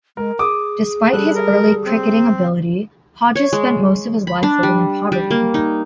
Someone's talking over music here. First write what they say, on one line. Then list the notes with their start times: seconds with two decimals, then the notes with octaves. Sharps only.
Despite his early cricketing ability Hodges spent most of his life living in poverty.
0.17 G#3 A#4
0.39 G#4 D6 D#6
1.13 G3 A4 F#6
1.35 A#4
1.86 C4
3.35 C#5
3.53 G#3
4.27 B5
4.43 D4
4.63 G3
5.12 G3
5.31 A#3
5.54 D#4